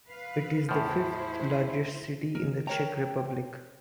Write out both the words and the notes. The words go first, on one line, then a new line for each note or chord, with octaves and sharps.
It is the fifth-largest city in the Czech Republic.
B4 F5
E2 A2 F3 E4 C5
D#3 A#4
A#4 C#5 G5 A#5